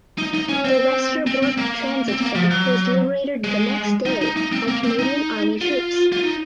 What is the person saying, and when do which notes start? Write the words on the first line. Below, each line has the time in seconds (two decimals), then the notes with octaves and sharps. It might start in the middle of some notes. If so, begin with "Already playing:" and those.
The Westerbork transit camp was liberated the next day by Canadian Army troops.
0.18 D#4
0.34 D#4
0.49 C#4
0.65 C4
1.27 C4
1.42 C4
1.58 A#3
2.08 C4
2.20 A#3
2.35 F3
2.51 F#3
3.44 G#3
4.06 D#4
4.21 D#4
4.37 D#4
4.52 C4
4.68 A#3
4.83 C4
4.99 D#4
5.61 F4
6.13 F4
6.23 D#4